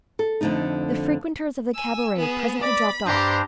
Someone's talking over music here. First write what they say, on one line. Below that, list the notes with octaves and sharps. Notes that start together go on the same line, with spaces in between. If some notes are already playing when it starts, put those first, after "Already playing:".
The frequenters of the cabaret presently dropped off.
A4
F2 G#2 D3 A3 D#4
G#5 E6
B3 G#4
D5 B5 D6
G2 D4 G4 C5 A#5